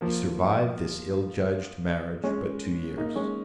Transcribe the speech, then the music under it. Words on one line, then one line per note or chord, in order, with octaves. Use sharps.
He survived this ill-judged marriage but two years.
F3 A#3
G#3 C#4
A#3 D#4
G#3 C#4